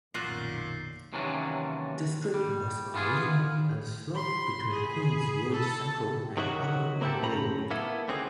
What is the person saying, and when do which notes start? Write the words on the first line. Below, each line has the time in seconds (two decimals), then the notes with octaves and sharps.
The street was originally on the slope between Queen's Road Central and Hollywood Road.
0.14 B1 F#2 A#2 D#3 F4 F#4 C7
1.13 D#2 C3 E3 F#3 C#4 D4
2.34 G3
2.94 E3 B3 F4 G#4
4.15 B5 C6
4.71 G#4
5.53 A4 A5
6.37 C3 D#3 F#3 E4 F#4
7.01 A#3 C4 E4 F4 G4 A4
7.22 F#2 C#3 A3 C5 A#5 B5
7.71 A#3 B3 E4 A4
8.08 C#2 D3 C4 F#4 G#4